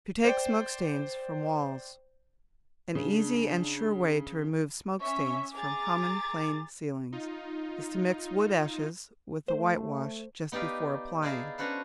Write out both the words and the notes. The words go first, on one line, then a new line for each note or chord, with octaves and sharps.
To Take Smoke Stains from Walls.--An easy and sure way to remove smoke stains from common plain ceilings is to mix wood ashes with the whitewash just before applying.
C5 D5 G5
C#3 D4
C#4 E5 C#6
G#4 A#5 D6 A6
D#4 F4
A3 C5
B3 D#4 G4 D5 F5
D#4 E4 G#4 D5 F5 A5
C#4 D4 F#4 A4 B4 C5